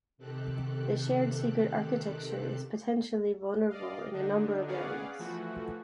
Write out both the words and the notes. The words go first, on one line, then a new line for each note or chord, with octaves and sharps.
The shared secret architecture is potentially vulnerable in a number of areas.
C3 D#3 C4 G4 A4 F#6
D5 D#5 F5
D3 D4 D#4
B3 C#4 G#4 D5 F5 F#5
E3 F3 A3 F#4